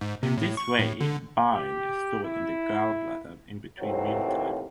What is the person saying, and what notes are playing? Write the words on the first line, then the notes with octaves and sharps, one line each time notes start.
In this way, bile is stored in the gallbladder in between meal times.
G#2
C3
A2
C#6
A2
D3
G4
E4
D#2 A2 C3 E3 F#3 C4